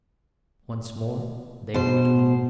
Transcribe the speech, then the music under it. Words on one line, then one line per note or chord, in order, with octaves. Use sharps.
Once more they were at home.
B2 C5